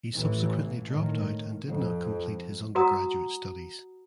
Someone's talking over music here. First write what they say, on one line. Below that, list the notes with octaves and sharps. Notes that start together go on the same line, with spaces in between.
He subsequently dropped out and did not complete his undergraduate studies.
A1 E3
A2 D#3
F2
F#4 A#4 F#5 A#5 D#6